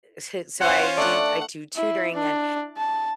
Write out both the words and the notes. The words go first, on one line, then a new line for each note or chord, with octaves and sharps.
d s so I do I do tutoring. And,
C#4 F4 C5 F5 F#5
A3 D4 D5 F#5
E4
D4
A5